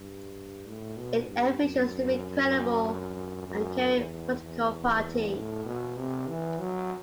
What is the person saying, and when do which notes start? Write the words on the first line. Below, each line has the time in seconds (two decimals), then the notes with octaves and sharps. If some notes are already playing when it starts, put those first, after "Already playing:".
It envisions to be a credible and caring political party.
Already playing: G2
0.67 A2
0.97 B2
1.28 G2
1.61 F#2
3.47 F#2
3.95 E2
4.41 E2
5.35 A2
5.65 B2
5.97 C3
6.27 E3
6.59 F#3